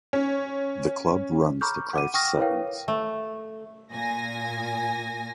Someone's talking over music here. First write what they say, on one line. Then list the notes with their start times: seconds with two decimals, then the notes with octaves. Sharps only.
The club runs the Crieff Sevens.
0.13 C#4
1.61 A#5 B5 C#6 D6 F6 G6
1.93 F#5 D6 D#7
2.14 G5 C#6 D#6 F6 A#6
2.37 E4 A#4 B4 C#5 F5 G5
2.88 A3
3.93 A#2 G#5 A#6